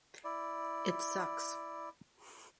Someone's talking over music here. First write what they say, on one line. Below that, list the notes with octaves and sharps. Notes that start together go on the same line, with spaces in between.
It sucks.
E4 D5